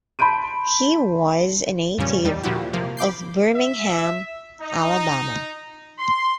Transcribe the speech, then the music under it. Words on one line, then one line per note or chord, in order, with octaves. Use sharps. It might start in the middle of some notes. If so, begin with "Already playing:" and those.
He was a native of Birmingham, Alabama.
A5 B5 C6 G6 D7 D#7
F2 A#2 C#3 G3 C#4
E2 G3 D#4
A#2 D3 F3 E4 F#4 G4
C3 F3 A#3
B5 D6 G6 C7
E5
D#4
C6